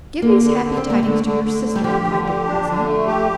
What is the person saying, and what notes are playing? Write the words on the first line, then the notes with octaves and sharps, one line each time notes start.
Give these happy tidings to your sister, my dear cousin.
D3 A#3
D3
D3
C4
D3
A#3
D3 A3
D3
D3
D3
G3
F3 G4
D3
G4
D4
D3
A3
G4